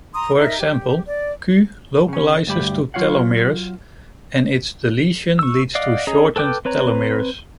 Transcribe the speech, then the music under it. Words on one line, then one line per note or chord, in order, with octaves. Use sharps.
For example, Ku localizes to telomeres and its deletion leads to shortened telomeres.
A#5 C6 D#6
D#4 A#4 E5
G4
D5
C#3 C#4
D2 G2 G4 B5
F#3 F4 C#5 F5 F#5
C#6 E6
D5 D#5 F5 F#5
C#4 G#4 D#5 A#5
A4 B4 G5 D6 G6
C4 B4 C#5 A#5